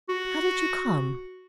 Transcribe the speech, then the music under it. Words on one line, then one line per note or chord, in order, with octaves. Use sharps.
How did you come?
F#4